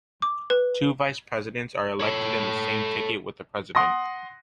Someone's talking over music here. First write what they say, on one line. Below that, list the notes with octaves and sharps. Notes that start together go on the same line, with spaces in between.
Two Vice Presidents are elected in the same ticket with the President.
D6
B4
A4 C#5
F#5 C6 D#6 A#6